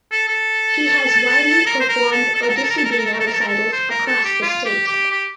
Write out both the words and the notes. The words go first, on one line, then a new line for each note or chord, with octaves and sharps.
He has widely performed Odissi Bina recitals across the state.
A4
A4
A#4
C5
A#4
A4
A4
A#4
A4
A#4
A4
A#4
A4
A#4
A4
A#4
A4
A#4
A4
A#4
A4
A#4
A4
C5
A#4
A4
G4
F4
G4
G4
G4